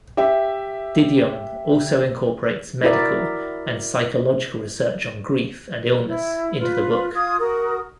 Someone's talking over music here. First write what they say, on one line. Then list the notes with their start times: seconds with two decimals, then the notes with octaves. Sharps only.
Didion also incorporates medical and psychological research on grief and illness into the book.
0.17 G4 E5
2.84 E4 F#4 A#4 D5 E5
6.06 E4
6.58 F4 B4
7.14 F4 D#6 G#6
7.40 F#4 A#4 D#6